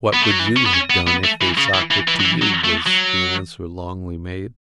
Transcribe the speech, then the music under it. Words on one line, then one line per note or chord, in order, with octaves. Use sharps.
"What would you have done if they'd socked it to you?" was the answer Longley made.
B3
A3
F#3
E3
C#4
B3
C#4
B3
B3
A3
E3
C#3
E3
E3
E3
F#3
E3
F#3
A3
F#3